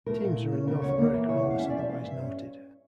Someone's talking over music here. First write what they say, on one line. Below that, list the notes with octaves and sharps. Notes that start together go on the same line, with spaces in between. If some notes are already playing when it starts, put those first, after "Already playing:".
Teams are in North America unless otherwise noted.
A3 A#4
A#2
E4
C#4
C#3 A#4
D2 C#5
A#3
E3
C#3 C#5
E2
F5
C#4 E5
D5
F3
E5
E3 F5
G2 E5
C#4